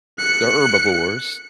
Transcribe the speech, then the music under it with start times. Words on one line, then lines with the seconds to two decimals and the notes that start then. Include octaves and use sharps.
they're herbivores,
0.18 F#6 C#7